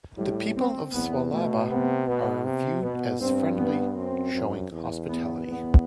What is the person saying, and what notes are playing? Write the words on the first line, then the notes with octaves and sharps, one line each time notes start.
The people of Swalaba are viewed as friendly, showing hospitality.
A2 G3
C4
E2 B3
B2 A3
C3 B3
B2 B3
C3
B2 B3
G2 C4
B3
F#2 C4
F#2
E2
B3
E2 B3